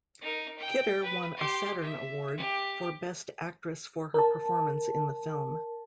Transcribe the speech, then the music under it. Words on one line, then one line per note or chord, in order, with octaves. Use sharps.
Kidder won a Saturn Award for best actress for her performance in the film.
D#4 A#4
G5
B4
G4 C6
E5
G4
A#4 A5